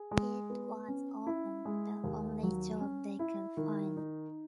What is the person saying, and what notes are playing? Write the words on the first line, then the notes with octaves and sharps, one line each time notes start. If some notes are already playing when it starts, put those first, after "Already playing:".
It was often the only job they could find.
Already playing: G#4
G#3
B3
C#4
E4
G#3
D#2
F#3
C#4
E4
D#3
D#4